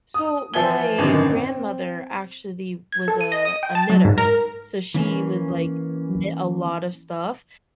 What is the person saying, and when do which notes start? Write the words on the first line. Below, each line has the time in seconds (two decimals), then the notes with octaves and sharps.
So, my grandmother actually was a a knitter, so she would, like, knit a lot of stuff,
0.14 D#6
0.54 E3 F3 E5 G#5 G#6 G7
0.98 G#1 F#2 B2 D3 D#3
1.29 C4
2.92 G#6
3.08 A4
3.21 D#7
3.32 D#5
3.45 D#6
3.63 G5
3.75 A5
3.90 F#3
4.05 G#2
4.18 A#4
4.94 E3 A#3 C#4